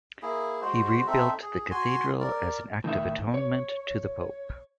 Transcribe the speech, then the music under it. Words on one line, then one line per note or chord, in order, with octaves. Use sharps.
He rebuilt the cathedral as an act of atonement to the Pope.
A#3 E4 G#4
G#3 F#4 C5
C4 D#4 A4 E5
G#4
F#4 G#5 C6
A#4 D5
A2 D#3 D#4 E5
C#5